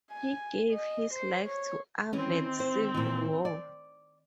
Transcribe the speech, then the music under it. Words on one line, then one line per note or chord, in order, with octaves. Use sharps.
He gave his life to avert civil war.
G#5
D#5
C5
C#5
D#3 E3 C4 C#4
E4 C5
A#2 E3
D5